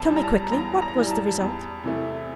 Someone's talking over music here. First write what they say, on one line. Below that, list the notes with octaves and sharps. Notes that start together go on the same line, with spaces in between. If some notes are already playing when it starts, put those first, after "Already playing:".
"Tell me quickly--what was the result?"
Already playing: E2 A5
E3 G3
A#5
A5
E2 A#5
A#5
E3 G3
A5
E2
C3 E3 A3